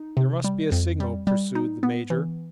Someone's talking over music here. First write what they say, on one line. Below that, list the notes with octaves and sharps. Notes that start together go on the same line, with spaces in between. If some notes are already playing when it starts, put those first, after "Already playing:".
"There must be a signal," pursued the major.
Already playing: D#4
C3
G3
F2
G3
G3
D#4
B3
E3